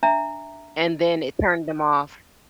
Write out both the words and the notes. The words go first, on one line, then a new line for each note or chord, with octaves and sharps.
and then it turned them off.
D4 E5 A#5